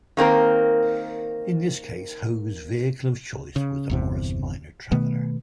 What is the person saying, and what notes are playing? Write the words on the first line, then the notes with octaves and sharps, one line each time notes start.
In this case, Ho's vehicle of choice was a Morris Minor Traveller.
D#3 A#3 C4 A#4
C#3
G1 E2 C3
B2 D#3 A3 B3